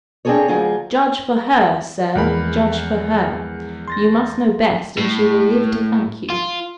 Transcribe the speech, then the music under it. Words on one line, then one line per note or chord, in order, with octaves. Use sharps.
Judge for her, sir, judge for her. You must know best, and she will live to thank you.'
C4 D4 E4 G#4 A4 C#5
D2 F#3 F4 G#4
E2 F3 G#3 A#4 B5
C6 A6 A#6
A2
F4